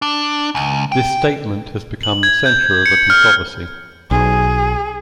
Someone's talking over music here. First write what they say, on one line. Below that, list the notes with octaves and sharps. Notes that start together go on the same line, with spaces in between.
This statement has become the center of a controversy.
D4
C#2
G5
F#7
G#6
G6
C#7
F6
B1 G#4